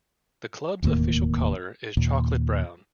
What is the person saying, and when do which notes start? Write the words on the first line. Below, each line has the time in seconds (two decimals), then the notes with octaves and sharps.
The club's official colour is chocolate brown.
0.83 E1 D#2 A2 A#3
1.97 D#2 A#2